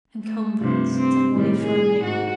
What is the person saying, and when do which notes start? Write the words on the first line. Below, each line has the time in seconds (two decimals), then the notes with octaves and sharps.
"Encumbrance," said Wally firmly.
0.23 A3
0.60 G2 C3 F3
0.96 C4
1.32 A2 D#3 G3
1.62 G#4
2.02 G#2 F#4